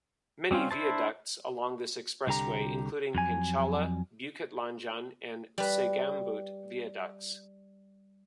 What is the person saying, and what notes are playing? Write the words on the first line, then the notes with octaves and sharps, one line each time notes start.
Many viaducts along this expressway including Penchala, Bukit Lanjan and Segambut viaducts.
G3 C4 C#4 F4
D4 E4 C5 A5
C2 D3 G4 A#5
F2 F#3 G#5
G3 B4